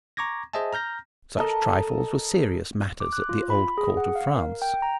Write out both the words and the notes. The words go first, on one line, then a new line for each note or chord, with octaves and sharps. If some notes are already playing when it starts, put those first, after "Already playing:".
Such trifles were serious matters at the old court of France.
A#5 C#6 D6 G#6 A#6
G#4 C5 D#5 E5 G#5 A5
A#5 F6 G6 A#6
A4 A#4 D#5
D6
F#6
F4
B5
G#4
F#5
F5
A#4
G5
A#5